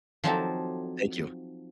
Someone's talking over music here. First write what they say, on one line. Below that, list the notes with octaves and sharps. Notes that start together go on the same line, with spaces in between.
Thank you.
F3 F#3 C4 D#4 G4 A4